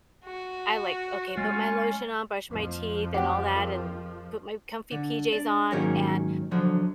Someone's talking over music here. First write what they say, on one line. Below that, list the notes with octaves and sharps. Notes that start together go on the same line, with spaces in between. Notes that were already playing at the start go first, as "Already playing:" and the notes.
I like, okay, put my lotion on, brush my teeth and all that, and put my comfy PJs on and
F#4
G#3 C#4 F4
F2 F3
G4 F#5 F#6
G#4 A#4
D3
D4
G#2 D#3 F#3 A#3 C#4
D3 F3 F#3